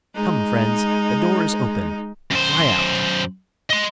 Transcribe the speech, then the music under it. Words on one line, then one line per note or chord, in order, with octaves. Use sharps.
"Come, friends; the door is open--fly out!"
G#3 D#4
F#2 C5
D#5 C6